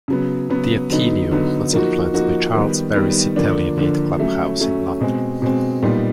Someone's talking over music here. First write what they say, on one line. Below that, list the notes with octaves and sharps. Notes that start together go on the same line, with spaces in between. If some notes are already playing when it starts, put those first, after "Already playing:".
The Athenaeum was influenced by Charles Barry's Italianate club house in London.
C#3 F#3 B3
C#3 F#3 B3
D3 F#3 B3 D#4
D3 F#3 B3 D#4
F3 A#3 D#4 F#4
F3 A#3 D#4 F#4
D#3 G3 B3
D#3 G3 B3
D3 F3 A#3 D4
D3 F3 A#3 D4
F#3 A3 C#4
F#3 A3 C#4
B2 G#3 C4
B2 G#3 C4
A#2 G3 B3 D#4